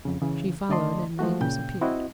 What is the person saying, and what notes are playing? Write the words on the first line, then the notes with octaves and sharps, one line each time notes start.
She followed, and they disappeared.
F2 C#3
C#3 E3
D3 A3 D5 D#5 A5 C6
F3 G#3 A3 F#4
A#2 C#3 G5 G6
C4 E4 F#4 D#5